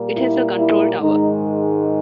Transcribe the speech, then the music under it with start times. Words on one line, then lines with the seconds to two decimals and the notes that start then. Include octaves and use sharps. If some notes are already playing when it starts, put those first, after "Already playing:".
It has a control tower.
Already playing: A#2 G3 A#3
0.15 E4
0.57 E4
1.00 G#2 D#3 G#3 D#4